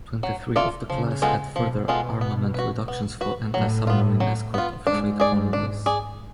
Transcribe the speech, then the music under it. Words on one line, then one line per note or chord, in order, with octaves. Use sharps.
Twenty-three of the class had further armament reductions for anti-submarine escort of trade convoys.
F#3
A3 F4 A4 D5
C#3 F3
G#3 B3 F4 A4
B2 F3
G#3 B3 F4 A4
B3
F#4 B4
B3
F#4 B4
A2 F#3
B3 F4
F#3
B3 F4
G#2 D4
G#4 D5
D4
G#4 D5